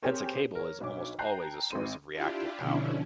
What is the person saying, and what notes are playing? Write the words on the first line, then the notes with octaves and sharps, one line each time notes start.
Hence a cable is almost always a source of reactive power.
C4 G4 G#4 A#4 C5 C#5
A#4 C#5
B1 D4 C#5 D6
G5 A5 A#5 F#6 G6 C7
G#1 C4 C6 D#7
D4 E4 F4 G4
B2 D3 F3 C#4 D4 E4